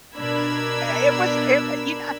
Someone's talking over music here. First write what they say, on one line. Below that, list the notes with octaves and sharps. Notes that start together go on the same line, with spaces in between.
Eh it was i you kn
B2 D4 A#4 B5 E6 G#6